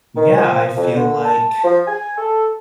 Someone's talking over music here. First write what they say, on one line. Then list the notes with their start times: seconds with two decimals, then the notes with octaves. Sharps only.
Yeah, I feel like
0.16 D#3
0.37 F3
0.77 F2
0.95 D3
1.25 A5
1.64 F3
1.87 G#5
2.18 A4